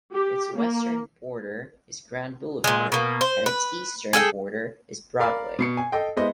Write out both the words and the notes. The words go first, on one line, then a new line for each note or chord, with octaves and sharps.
Its western border is Grand Boulevard and its eastern border is Broadway.
G4
A#3
A#2 G#3
B2 A#3
C5
B4
G#4 A4 F5 G5
A#4 D5 F5 B5
B2 C7 C#7
G#5
A4 D#5 G5
G#3 B3 E4 C5 D#5